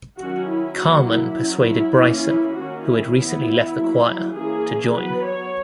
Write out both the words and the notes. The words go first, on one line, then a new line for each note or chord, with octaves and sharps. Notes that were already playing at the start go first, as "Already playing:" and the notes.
Carmen persuaded Bryson, who had recently left The Choir, to join.
D#3 F#3 C#4 F#4
E4
D#3 F#3 A#3 F#4
E4
F#3 C#4
E4
E3 A#3 C#4
E4
D#3 A#3 C#4 F#4
E4
E3 B3 E4
F#3 A#3 C#4
E3 A#3 C#4 G#4
F#3 B3 B4
C#5